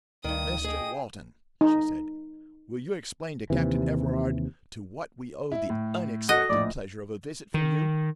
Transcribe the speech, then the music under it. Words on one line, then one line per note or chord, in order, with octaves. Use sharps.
"Mr Walton," she said, "will you explain to Captain Everard to what we owe the UNEXPECTED pleasure of a visit from you?"
D2 G2 D#3 D#6
G#4 D#5 G5
D#4
D#2 C3 E3
E4
A2
F#4 A4 D#5 F#5
A#1 A2 D5
D#3